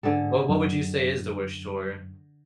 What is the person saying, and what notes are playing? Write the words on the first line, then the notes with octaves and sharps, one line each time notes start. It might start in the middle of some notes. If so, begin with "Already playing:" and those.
Well, what would you say is the worst chore?
G#2 D3 G#4 A4
F#2